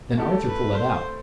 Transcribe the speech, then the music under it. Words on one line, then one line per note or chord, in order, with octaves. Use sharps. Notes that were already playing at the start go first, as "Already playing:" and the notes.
Then Arthur pulled it out.
A3 E4 G4 A4
B4
C5